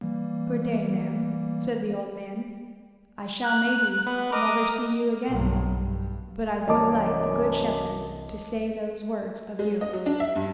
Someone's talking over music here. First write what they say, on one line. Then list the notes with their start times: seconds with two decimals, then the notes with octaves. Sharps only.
'Good-day, ma'am,' said the old man; 'I shall, maybe, never see you again; but I would like the Good Shepherd to say those words of you.'
0.01 E3 G3 A#3
3.44 F#6
4.06 B3
4.32 A#4 D#5 D6
5.29 B1 G2
5.80 G2
6.68 C2 F#2 E3 G3 D#5 A5 D6
9.59 G#3
9.81 D#5
9.93 F#3
10.06 D4
10.20 E5
10.36 G2